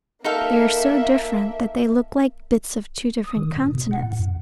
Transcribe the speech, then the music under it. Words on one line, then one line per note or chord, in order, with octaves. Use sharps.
They are so different, that they look like bits of two different continents.
A#3 D#4 A4 E5 F5
D#6
D#3
A#2
B2
F#5
A2
F#2